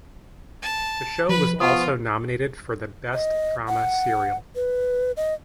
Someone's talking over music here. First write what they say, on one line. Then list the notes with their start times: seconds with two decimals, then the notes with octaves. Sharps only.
The show was also nominated for the Best Drama Serial.
0.62 A5
1.29 F3 B4 B5
1.60 F3 B3 F4 F#5 C#6 D#6
3.14 D#5
3.68 F#5
4.55 B4
5.17 D#5